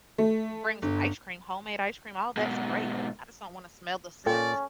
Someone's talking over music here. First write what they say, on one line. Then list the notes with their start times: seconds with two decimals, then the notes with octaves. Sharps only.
bring some ice cream, homemade ice cream, all that's great. I just don't wanna smell the scent.
0.18 A3
0.82 G1
2.37 G#2 B2
4.26 A#2 C#4 F4 A4 D5 G5 A5